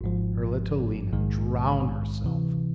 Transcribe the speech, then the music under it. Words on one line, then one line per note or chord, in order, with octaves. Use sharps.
Her little Lena drown herself!
G#1 G#2 F3
A#1 G#2 D#3 G#3
D2 C3 E3